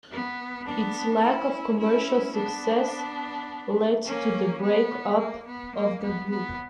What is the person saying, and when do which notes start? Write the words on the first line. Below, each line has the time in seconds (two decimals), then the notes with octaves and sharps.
Its lack of commercial success led to the break up of the group.
0.11 B3
0.67 B3 D4
1.23 C#4 E4
1.80 C#4 E4
2.36 B3 D4
4.05 A#3 C#4
4.61 B3
5.18 A#3
5.46 B3
5.74 A#3
6.02 B3
6.30 B3